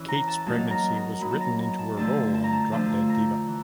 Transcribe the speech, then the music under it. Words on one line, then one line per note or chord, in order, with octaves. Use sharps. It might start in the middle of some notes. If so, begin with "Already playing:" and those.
Kate's pregnancy was written into her role on "Drop Dead Diva".
Already playing: E3 C#4 E4
A#5
A5
F#3 A#3 D#4 A5
A#5
A#5
F#3 A#3 D#4 B5
A5
A#5
A#5
A5
D3 F3 A3 D4 A5
A5
A#5
A5
D3 F3 A3 D4 A5
A#5
E3